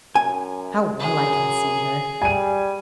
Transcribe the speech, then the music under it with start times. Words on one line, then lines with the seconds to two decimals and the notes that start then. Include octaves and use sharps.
How well I can see her!
0.15 F#2 G#5
1.00 F#2 G#4
2.22 G3 G#5 D#7